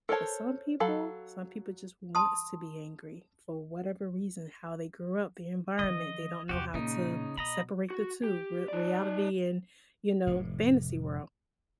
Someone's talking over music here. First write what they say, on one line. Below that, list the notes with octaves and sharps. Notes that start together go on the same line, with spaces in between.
But some people? Some people just wants to be angry, for whatever reason. How they grew up, the environment, they don't know how to separate the two, r reality and, you know, fantasy world.
A4 A#4 C5 C#5 A5
F#3 A4 F5 A5 B5
A5 C6 D#6
D#3 F3 D#5
E2 C3 F#4 G4
A#2 C#3 D#4
B2 D#5 A#5 B5
F#4
G4
D#4 D5
F1 A2 C3